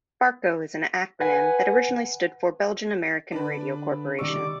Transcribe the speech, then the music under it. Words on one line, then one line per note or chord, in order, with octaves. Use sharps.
Barco is an acronym that originally stood for Belgian American Radio Corporation.
B4 F#5 G#5
D3 D4 B4
D#3 G3 D5 C#6 D6 E6